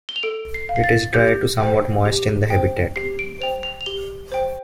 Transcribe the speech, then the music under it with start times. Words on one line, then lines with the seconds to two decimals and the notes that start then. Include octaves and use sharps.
It is dry to somewhat moist in the habitat.
0.09 G7
0.16 F7
0.23 A4 D7
0.54 C7
0.69 F5
0.76 C7
0.84 A6
1.14 G4 G6
1.60 C5 G5
2.05 G4
2.50 C5 G5
2.96 G4 C7
3.19 D7
3.41 C5 G5 F7
3.63 F7
3.81 F7
3.86 G4 G7
4.32 C5 G5